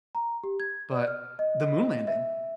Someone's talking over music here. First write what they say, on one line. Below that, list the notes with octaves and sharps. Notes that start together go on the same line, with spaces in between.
but the moon landing.
A#5
G4
G#6
D5
F6
D#5
E5